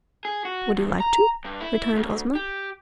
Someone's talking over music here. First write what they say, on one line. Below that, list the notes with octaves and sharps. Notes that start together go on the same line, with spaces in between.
"Would you like to?" returned Ozma.
G#4
F#4
E2
A#5
G2
E4
D2
G4